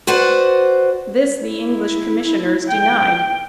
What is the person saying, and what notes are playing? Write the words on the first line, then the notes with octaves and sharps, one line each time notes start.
This the English Commissioners denied.
F#4 B4 C5 D5 F#5
E4
G5